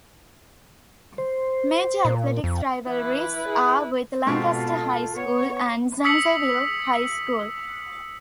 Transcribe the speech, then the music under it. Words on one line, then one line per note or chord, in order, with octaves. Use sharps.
Major athletics rivalries are with Lancaster High School and Zanesville High School.
C5
A#2
F2
E3 E4 B4
G#4
G#2 B2 C4 F4 A4 C#6
B3 C#5
D#6 E6 B6 C#7 F#7